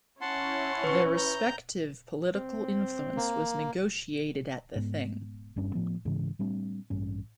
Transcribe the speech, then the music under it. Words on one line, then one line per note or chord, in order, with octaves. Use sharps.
Their respective political influence was negotiated at the thing.
C#4 E4 F#5 A5 C6
B4 C#6
A#5 G6
C4
A#3
G#2 B3
G1 G2 C#4 D4
A2 F3 B3
G#2 C#3 E3
A2 G3 C4 D4
A1 G2 C#4